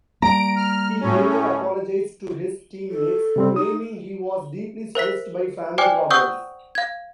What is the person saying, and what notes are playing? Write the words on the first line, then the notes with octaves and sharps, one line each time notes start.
He later apologized to his teammates, claiming he was deeply stressed by family problems.
G3 A#3 A#5 D7
F6
A2 C#4
A4
C3 G3 C4
D#4 D#6
A#4 C5 E5 B6
C5 D5 G5 G#5 D6 F6
C5 F#5 C#6 D#6 E6 G6
F5 G#6